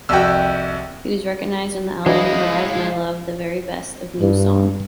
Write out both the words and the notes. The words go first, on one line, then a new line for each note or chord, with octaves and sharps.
He was recognized on the album "Arise, My Love, The Very Best of NewSong".
C2 F2 F#4 G5 E6
E3 F#3 G#3 D4 E4 D#5 F5
G2